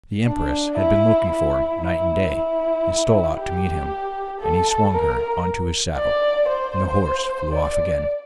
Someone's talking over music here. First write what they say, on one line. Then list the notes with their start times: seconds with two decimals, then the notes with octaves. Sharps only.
The empress had been looking for him night and day, and stole out to meet him, and he swung her on to his saddle, and the horse flew off again.
0.25 D4
0.77 E4
1.30 E4
1.81 E4
2.34 E4
3.37 G4
4.40 A4
4.93 A#4
5.97 D5
6.49 C5
7.53 D5